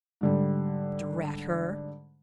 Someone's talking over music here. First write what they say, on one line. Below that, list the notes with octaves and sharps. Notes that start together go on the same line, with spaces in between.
Drat her!
G#2 D3 G3